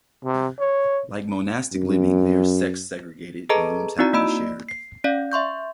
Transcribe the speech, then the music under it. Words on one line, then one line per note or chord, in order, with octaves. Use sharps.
Like monastic living, they are sex segregated and rooms have to be shared.
C3
C#5
F#2
G#4 A4 B4 D#5 A5 A#5
C4 D#4 E4 F#4 D5 A#5
A#3 D5 D#5 B5 E6 D7
C7
C#4 D5 F5
E5 C6 C#6 G6